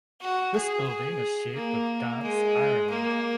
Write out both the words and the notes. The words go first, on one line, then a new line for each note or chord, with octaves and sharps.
This building is shared with Dance Ireland.
F#4
G#4
G#4
A#3
G#3
A#3